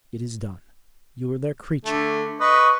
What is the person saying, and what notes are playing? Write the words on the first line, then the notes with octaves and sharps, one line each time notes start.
It is done--you are their creature.
D3 A3
B4 D#5 C#6